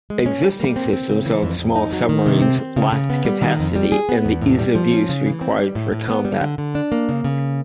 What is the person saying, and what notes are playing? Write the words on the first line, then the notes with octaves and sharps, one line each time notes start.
Existing systems on small submarines lacked capacity and the ease-of-use required for combat.
G#3
C#4
G3
A#3
C4
C4
C#3
E3
F2
F2
D#4
F#3
D#3
C3
C4
C4
C#3
C#3
B3
G3
D#3
F2
G3
G#4
B3
E2
A2
G3
F3
C#4
C#3
E3
C4
G3
A2
A2
B3
G3
D3
D3
D4
A#3
C#3
C#3